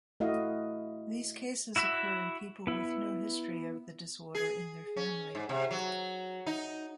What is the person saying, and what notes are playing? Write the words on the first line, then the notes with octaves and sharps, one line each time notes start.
These cases occur in people with no history of the disorder in their family.
A3 E4 F#4 D#5 F5
E4 F#4 E5 B5
B3 E4
G#4
C#4
G#2
C3
F#3
D#4